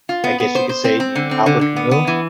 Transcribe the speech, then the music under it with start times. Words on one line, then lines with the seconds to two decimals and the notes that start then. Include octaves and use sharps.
I guess you could say, named Albert Camus
0.09 F4
0.24 B3
0.40 B3
0.55 C5
0.69 C5
0.84 C4
1.00 C4
1.15 D3
1.31 C4
1.46 D3
1.61 D3
1.76 B3
1.91 B3
2.07 E3